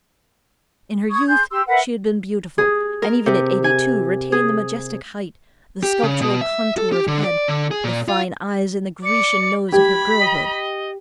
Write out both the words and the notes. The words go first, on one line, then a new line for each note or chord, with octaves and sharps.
In her youth she had been beautiful, and even at eighty-two, retained the majestic height, the sculptural contour of head, the fine eyes and the Grecian nose of her girlhood.
C#6 D#6 G#6
G#4 C6 G6
G4 C6 E6
A#4 B4 E5 F#5
G#4
A#4
C3
G#5
G#4
G4
C#3
B2
E5
A4
G4
D3
D5
D3
G#4
A#2
F4
D5 C#7
G4 B5 G#6
D#5